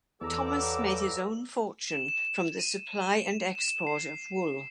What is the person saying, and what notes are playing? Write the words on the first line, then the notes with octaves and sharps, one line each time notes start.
Thomas made his own fortune from the supply and export of wool.
E2 G2 F#3 A4 A#5 D6 E6
E7
E7
D#7
E7
C7